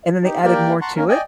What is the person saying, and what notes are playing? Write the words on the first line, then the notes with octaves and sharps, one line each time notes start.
and then they added more to it.
D#4 G4
A#3 G4 A#4 D5 G5
F#5 A5 A#5 C6 C#6 F#6
A#3 C#4 A#4
D5 D#5 G5 G#5